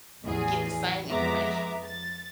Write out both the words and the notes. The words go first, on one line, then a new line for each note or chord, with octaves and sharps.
get the same information."
A1 E2 G#4
F2 G#3 B3 E5 A#5 D6
A6